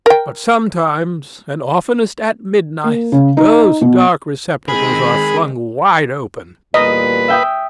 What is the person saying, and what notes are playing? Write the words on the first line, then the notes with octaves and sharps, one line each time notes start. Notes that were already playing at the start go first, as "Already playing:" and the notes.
But sometimes, and oftenest at midnight, those dark receptacles are flung wide open.
A#4 G5
A#3
C#3
D#4
B2
D#3 G#3 C4 G#4 B5
E2 A#2 G3 B4 D#5
E5 G5 D#6